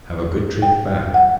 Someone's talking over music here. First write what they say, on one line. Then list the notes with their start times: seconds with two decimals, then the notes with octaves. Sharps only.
Have a good trip back.
0.62 G5
1.14 F#5